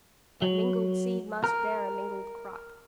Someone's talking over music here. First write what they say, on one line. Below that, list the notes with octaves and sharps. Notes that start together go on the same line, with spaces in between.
But mingled seed must bear a mingled crop.
F#3
A#4